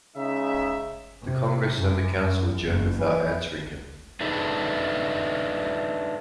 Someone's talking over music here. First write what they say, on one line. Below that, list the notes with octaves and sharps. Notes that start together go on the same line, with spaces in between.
The congress and the Council adjourned without answering him.
C#3 G#3 D#4 E5
C3
F#2
F#2
F#1
E3
D4 D#4 G#4 A4 B4 E5